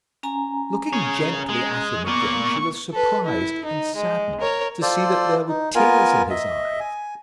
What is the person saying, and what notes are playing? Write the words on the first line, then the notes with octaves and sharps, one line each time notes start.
Looking gently at him again, she was surprised and saddened to see that there were tears in his eyes.
C#4 G#5 A#5
G#4 C#5
G#3
A#3 B3 D5 C#6
A4 B4
E4
D#4
G#3
A#4 C#5
F4 A4 C5 D5
D#4
B3 F4 A#4 G#5
D#5 E5
G#5